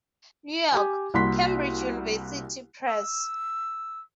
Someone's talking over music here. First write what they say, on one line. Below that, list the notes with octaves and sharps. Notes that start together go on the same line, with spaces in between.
New York: Cambridge University Press.
G4 G#5
C2 A#3 F#4 B5 C6 B6
E6